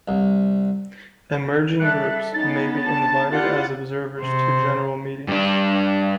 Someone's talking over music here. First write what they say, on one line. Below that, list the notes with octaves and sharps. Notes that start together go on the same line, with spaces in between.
Emerging Groups may be invited as observers to General Meetings.
C2
G3 A4 E5 F#6
B3 C#4 D#4 A6
D4 A5
E4 F4 G4 D5 F#5
C3 C5
G2 D4